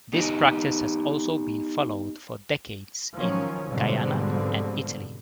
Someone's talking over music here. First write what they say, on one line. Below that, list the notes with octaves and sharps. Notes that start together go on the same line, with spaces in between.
This practice has also been followed for decades in Guyana and Italy.
B3 D#4 G4 D#5
D#3 F3 F#3 C#4
G#2 B2 D3 F3 G3 C4